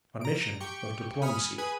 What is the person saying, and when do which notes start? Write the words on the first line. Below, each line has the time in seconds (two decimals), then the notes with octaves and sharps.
A mission of diplomacy.
0.21 A#5 D7
0.60 G4 G5 C#6
1.22 G#5 B5 D#6 F6 C#7
1.58 G#4 B4 G#5 D#6